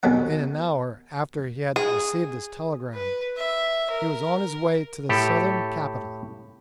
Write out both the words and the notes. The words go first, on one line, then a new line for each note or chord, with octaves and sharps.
In an hour after he had received his telegram he was on his way to the Southern capital.
B1 F#2 D#3 D#4 F#5
G#4
B4
E5
A#4
A2 G4 A4